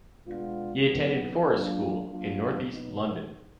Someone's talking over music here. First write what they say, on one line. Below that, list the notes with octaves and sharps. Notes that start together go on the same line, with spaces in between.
He attended Forest School in northeast London.
B2 G#3 B3 D4 F4
D#3 F#3 B3
F#3 A#3 D4 F4
F#3 A#3 D4 F4
B2 F#3 B3 D#4